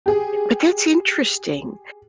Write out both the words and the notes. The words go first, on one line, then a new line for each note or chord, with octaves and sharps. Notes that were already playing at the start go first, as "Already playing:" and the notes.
but that's interesting.
G4 G#4